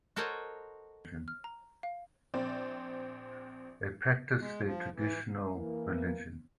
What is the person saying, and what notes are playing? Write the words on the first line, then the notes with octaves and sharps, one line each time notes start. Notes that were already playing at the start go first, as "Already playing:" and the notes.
They practice their traditional religion.
F#4 A4 A#4 C5 C#5 D#5
F6
A#5
F5
A#1 C4 D5
G#3
F3
E3
E3 A#3